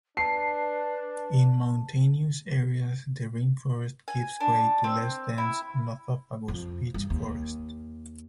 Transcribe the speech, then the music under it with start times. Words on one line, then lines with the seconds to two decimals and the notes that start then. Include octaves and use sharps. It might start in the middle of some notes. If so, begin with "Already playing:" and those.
In mountainous areas the rainforest gives way to less dense "Nothofagus" beech forest.
0.17 D4 B4 A5 C7
4.08 G#5
4.40 D4
4.84 C4
5.38 E4
6.48 F2
6.94 G2
7.10 D#2